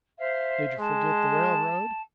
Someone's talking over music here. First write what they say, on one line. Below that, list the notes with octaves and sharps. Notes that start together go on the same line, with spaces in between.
Did you forget the railroad?
C5 E5 F5
G#3 A5